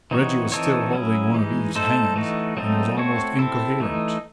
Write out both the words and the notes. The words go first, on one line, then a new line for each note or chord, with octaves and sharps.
Reggie was still holding one of Eve's hands and was almost incoherent.
E3 C4 D#4 F#4 C#5
E3 C4 D#4 A4 C#5
F#3 C#4 E4 G#4
E3 G#3 D#4
A3 D#4 A4 C5
E3 A3 D#4 F#4
F#3 A3 C4 D#4 A4
A3 C4 F#4 C#5
C4 E4 A4
E3 A3 D#4